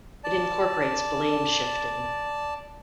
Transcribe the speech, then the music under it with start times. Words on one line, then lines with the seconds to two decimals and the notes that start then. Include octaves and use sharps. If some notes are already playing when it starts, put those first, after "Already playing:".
It incorporates blame shifting.
0.24 D5 A5